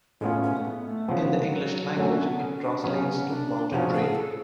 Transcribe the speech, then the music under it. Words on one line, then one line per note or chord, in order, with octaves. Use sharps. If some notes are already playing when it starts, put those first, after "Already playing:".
In the English language, it translates to mountain dream.
A2 G#3 B3 C#4 F4
C#4
A3
B3
A3
C#3 F3 F#3 B3
G#3
F#3
G#3
F#3
D3 F#3 A3 C#4 F#4
B3
C#4
C#4
D4
D4
C#3 F#3 B3 C#4
D4
C#3 F3 B3 C#4 D4 F#4
G#4
A4